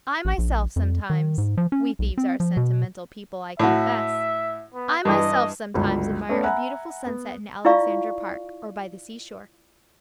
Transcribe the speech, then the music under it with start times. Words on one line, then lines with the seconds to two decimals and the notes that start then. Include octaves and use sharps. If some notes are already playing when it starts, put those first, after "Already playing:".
I myself sometimes--we thieves are sentimental people, I confess--I myself sometimes admire a beautiful sunset in Aleksandra Park or by the sea-shore.
0.25 A1
0.38 A#1
0.76 F2
1.10 D#3
1.38 G#2
1.57 F3
1.72 C#4
1.99 B1
2.18 C4
2.40 F3
2.57 B2
3.59 A2 F#4 E5
4.74 B3
5.05 G2 E3 D#5
5.74 G1 C#2 F#3
6.29 A3 B3 C#4 B4 D5
6.43 E5 F#5 G#5 A#5 B5 F#6
7.07 B3
7.65 E4 F4 D5 F5 C#6